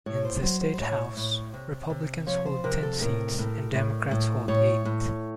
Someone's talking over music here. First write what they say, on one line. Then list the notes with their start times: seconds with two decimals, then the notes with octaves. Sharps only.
In the state house, Republicans hold ten seats and Democrats hold eight.
0.06 A2 C#5
0.25 C5
0.43 F#3 C5
0.61 C5
0.73 C5
0.80 A2 C#5
1.17 A2
1.54 C3
1.90 C3
2.27 F3 C#5
2.46 C5
2.64 C3 A#4
2.83 A4
3.01 A2 A#4
3.38 A2
3.74 A2
4.11 A2
4.48 A2 C#5
4.85 A2